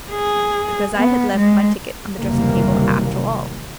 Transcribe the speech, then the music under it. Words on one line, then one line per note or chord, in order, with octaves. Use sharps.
Because I had left my ticket on the dressing-table after all.
G#4
B3
G#3
F#1 D#2 C3 E3 G3 A#3